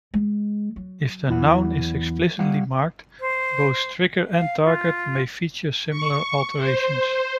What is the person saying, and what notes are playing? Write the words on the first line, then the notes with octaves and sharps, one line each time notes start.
If the noun is explicitly marked, both trigger and target may feature similar alternations.
G#3
F#3
E2 E4 F#5
G3 F5 F#5
C5
F5
F4
C#6
C5